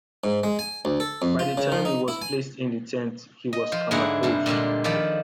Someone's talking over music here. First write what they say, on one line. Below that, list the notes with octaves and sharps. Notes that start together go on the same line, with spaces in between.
By the time he was placed in the tent, he was comatose.
G#2
G#3
G#5
D2
A4
F2
F4
C#3
F3
D#4
E4
G#5
D#5
F3 C5
G#2 D3 E4 G#4 F#5 A#5
G2 C3
A#2 D3 G3 G#3
D#3 F3 A4 D5 B5